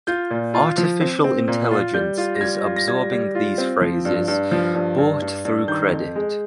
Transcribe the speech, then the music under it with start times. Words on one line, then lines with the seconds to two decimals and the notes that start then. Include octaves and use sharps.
Artificial intelligence is absorbing these phrases bought through credit.
0.07 F4 G6
0.30 A#2
0.54 F4
0.78 F3
1.01 C4
1.24 C4
1.48 A#2
1.71 F4
1.94 G3 G6
2.17 F4
2.35 A#6
2.41 G3 G#6
2.64 F4
2.76 A#6
2.88 G3 G#6
3.12 G3
3.35 F4
3.58 C4
3.81 F3
4.05 G2
4.28 G2
4.51 F3
4.75 G2
4.98 G2
5.22 G2
5.45 G2
5.68 D#3 G6
5.91 F2
6.16 G#3